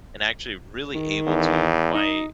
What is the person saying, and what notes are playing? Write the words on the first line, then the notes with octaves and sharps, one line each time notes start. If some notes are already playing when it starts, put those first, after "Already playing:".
and actually really able to my,
D#3
E2
D#4